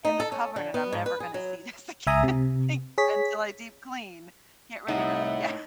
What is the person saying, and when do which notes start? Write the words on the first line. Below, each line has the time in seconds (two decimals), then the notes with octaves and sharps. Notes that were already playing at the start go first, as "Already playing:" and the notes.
in the cupboard, and I'm never gonna see this again, like, until I deep clean, get rid of it, yeah.
0.05 D#4
0.20 A4
0.32 C#4
0.56 D3
0.74 B3
0.92 G#2
1.06 B4
1.20 G#4
1.34 F#3
2.07 C#2 E5 G#5 A#5 D#6
2.23 C3
2.98 G#4 C#5 B6
4.88 C2 A2 D#4 E5 F#5